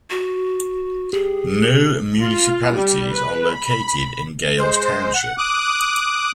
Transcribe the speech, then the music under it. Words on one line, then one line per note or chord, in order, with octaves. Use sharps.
No municipalities are located in Gales Township.
F#4
G4 G#4
F4
G3
B4
B5
G#3 C5
F#5
D6 D#6 F#6